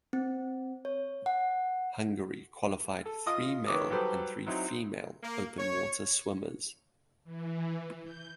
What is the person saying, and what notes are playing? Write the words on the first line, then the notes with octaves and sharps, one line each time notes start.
Hungary qualified three male and three female open water swimmers.
C4
C#5
F#5
A4
F4 D#5 D#6
D#3 B4 C#5 D6 D#6
F#3 G3 G4 A4 B4 C5
F#3 C4 D#4 E4
A#3
C#5
E3
G6